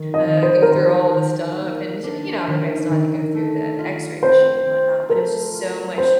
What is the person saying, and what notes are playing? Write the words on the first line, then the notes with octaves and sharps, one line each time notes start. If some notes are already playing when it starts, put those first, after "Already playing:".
uh, go through all the stuff, and, you know, her bag still had to go through the X-ray machine and whatnot, but it was just so much
Already playing: D#3
D#5
D#3
C5
A#4
D#3 C5
D#3
A#3
D4
D#3
D#3
A3
F4
C4 C5
C4
A3 A#4
F4
C4 C5